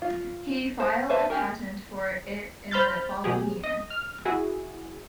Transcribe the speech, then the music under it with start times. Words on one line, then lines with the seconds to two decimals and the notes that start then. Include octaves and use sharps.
He filed a patent for it in the following year.
0.02 F4
0.80 C5
1.09 B4 C5 E5 F5 A5
1.30 C#4 F#4 G4 A#4
2.71 C5 B5 F6 G6 A6
3.24 B2 F#3 G4 G#4
3.64 D#5
3.90 F6
4.25 E4 F#4 G#4